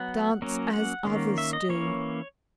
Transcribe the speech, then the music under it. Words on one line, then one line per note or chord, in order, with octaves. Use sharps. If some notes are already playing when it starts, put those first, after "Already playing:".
Dance as others do.
Already playing: F#3 B3 F#5
F#3 A#3 C#4
F#5
D#3 A#3 C#4
E5
D#5
E3 A#3 C#4 C#5